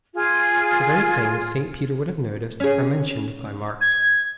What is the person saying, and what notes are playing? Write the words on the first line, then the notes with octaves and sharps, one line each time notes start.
The very things St. Peter would have noticed are mentioned by Mark.
F4 G#4
C#4 G#4
G#6